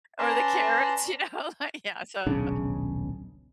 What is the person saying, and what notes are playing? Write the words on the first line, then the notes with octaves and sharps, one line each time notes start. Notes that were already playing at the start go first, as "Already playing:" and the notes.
or the carrots, you know, like, yeah, so
C#4 B4 D5 A5 A#5 C6
D#1 B1 C#3 D4